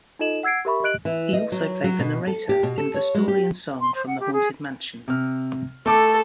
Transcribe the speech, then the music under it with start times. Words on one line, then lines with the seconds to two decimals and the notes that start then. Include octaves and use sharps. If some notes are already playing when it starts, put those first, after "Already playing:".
He also played the Narrator in "The Story and Song From the Haunted Mansion".
0.19 D#4 F4 A4 D#5 E7 F#7
0.43 F#5 E6 G#6 C7 D7
0.65 G4 A#4 E5 B5 C#6
0.83 G4 D#5 F#6 D7 F#7
1.05 E3
1.33 D#5
1.52 F#3
1.84 F#3
1.99 B2
2.27 A4
2.49 G4
2.63 B2
2.78 A4
2.94 C#5
3.15 G#3
3.28 G4
3.80 C6
3.95 C5
4.07 F#5
4.20 G4
4.33 G#4
5.08 C3 F6
5.86 A3 A4 D6